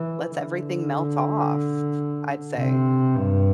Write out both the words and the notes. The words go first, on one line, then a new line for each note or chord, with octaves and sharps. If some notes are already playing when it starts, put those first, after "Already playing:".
lets everything melt off, I'd say.
Already playing: E3
D3
C3
G2